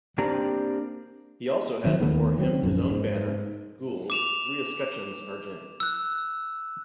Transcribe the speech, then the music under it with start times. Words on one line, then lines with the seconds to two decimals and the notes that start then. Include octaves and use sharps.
He also had before him his own banner, gules, three escutcheons argent.
0.18 A#3 C4 D4 G4 D5 A#5
1.84 D#3 F#3 C4
2.00 D#2 D#3 A3 B3
2.38 D#3 F#3 B3 C4
2.63 A#1 F#2
2.90 G#2
4.10 D6 E7 F7
5.80 E6 F#6